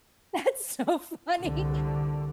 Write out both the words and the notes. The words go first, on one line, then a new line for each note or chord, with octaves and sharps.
That's so funny.
C2 D3